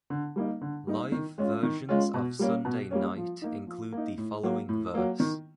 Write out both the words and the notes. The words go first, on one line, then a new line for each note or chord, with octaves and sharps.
Live versions of Sunday night include the following verse.
D3
G3 A#3 D#4
D3
G3 A#3 D#4
D#3
G#3 C#4 F4
D#3
G#3 C#4 F4
B2
G3 A#3 C#4
B2
G3 A#3 C#4
F3
A#3 D#4
F3
A#3 D#4
A2
F#3 A#3
A2
F#3 A#3
D#3